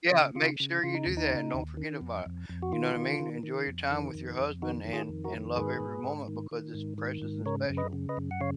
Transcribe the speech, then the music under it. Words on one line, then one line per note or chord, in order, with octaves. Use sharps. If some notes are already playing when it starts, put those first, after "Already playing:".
yeah, make sure you do that, and don't forget about it. You know what I mean? Enjoy your time with your husband, and and love every moment, because it's precious and special.
C#3
C#3 F4
C#3
C#3 F4
D#4
D#2
D#4
C#3
D#2
D#3
F2
F2
F2
F#4
D#3 F4
D#3
D#3
D#3
F2
D#3
F2
F2
D#3 D#4 F#4
D#3
F4 G#4
F2
F#4 A#4
D#3
G#2 G#4 B4
G#2
G#2
D#3
D#3
G#2
D#3
G#2
C#3 A#4 C#5
F#2
B4 D#5
C#3
B4 D#5
F#2
F#5
C#3 C#5 F5